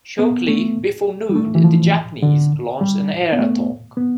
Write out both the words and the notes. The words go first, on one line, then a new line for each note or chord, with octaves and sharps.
Shortly before noon the Japanese launched an air attack.
B3
A3
G3
A3
E3
F3
D3
G3
B3
A3
B3